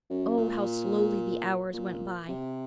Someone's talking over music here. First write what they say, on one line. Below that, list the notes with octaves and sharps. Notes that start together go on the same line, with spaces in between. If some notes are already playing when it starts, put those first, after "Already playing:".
Oh, how slowly the hours went by!
F#2
A#2
A#2
C3